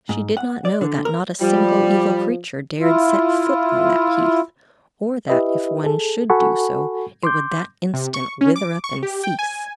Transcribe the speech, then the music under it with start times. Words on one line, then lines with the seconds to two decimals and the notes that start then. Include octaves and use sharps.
She did not know that not a single evil creature dared set foot on that heath, or that, if one should do so, it would that instant wither up and cease.
0.09 G#2
0.37 F#5
0.65 D5
0.81 D3
1.05 A#4
1.41 F3 G3
2.81 E4 F4
5.28 E4 G4 B4 D#5 E5
5.84 G#4 A4
6.30 F#4 A4 F#5 G#5 B5 C#6
7.23 C6 D6 G6
7.94 C3
8.14 C#6
8.41 C#4
8.56 D6
8.84 C#6
9.03 G4
9.24 G5
9.39 G#5